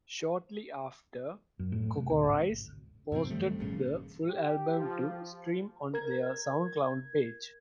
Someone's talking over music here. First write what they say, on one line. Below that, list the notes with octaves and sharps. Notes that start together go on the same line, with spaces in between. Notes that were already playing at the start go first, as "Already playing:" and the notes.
Shortly after, CocoRosie posted the full album to stream on their SoundCloud page.
F#2
A2
C3
D2
G#1
G2 C3 F3 C4
D#3 G3 A3
G#1 A#2 C#3
G4
F3
A#4 G#6